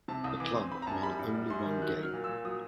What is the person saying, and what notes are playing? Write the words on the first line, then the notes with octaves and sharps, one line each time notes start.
The club won only one game.
C3 A5
C2 D#6
E3 D6
C4 C6
C4 B5
A#5
F#2 A5
G3 B5
F#2
G3
F#2 C6
D#3
F#3 F#6
F#3
F6
A#2
E6
A#2
F#3 D#6